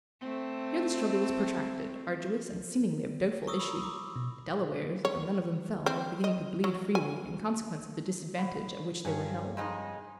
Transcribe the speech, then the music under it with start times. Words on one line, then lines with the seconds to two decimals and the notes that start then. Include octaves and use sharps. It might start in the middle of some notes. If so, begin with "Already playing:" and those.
Here the struggle was protracted, arduous and seemingly of doubtful issue; the Delawares, though none of them fell, beginning to bleed freely, in consequence of the disadvantage at which they were held.
0.20 A3 C4
3.47 A#5 C#6 D#6 E6
3.60 B5
3.83 D6
4.16 B2
5.05 C#5
5.86 C4
6.24 D#5
6.64 F#3
6.95 G#5
8.38 B2
9.05 G2 G#4 C#5
9.57 F2 G#3 D#4